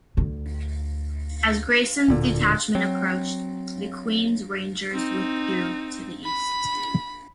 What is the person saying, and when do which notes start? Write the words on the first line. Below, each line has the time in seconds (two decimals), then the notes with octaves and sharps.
As Grayson's detachment approached, the Queen's Rangers withdrew to the east.
0.17 D2 D3
2.08 D1 A#2 D3
2.75 F#3 C4
4.92 C4 D#4
6.25 B5